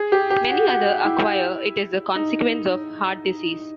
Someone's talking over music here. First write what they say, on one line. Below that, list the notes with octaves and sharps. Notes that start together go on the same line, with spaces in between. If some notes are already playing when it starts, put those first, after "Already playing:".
Many other acquire it as a consequence of heart disease.
Already playing: G#4
G4
G4
F#4
F#4
E4
D#4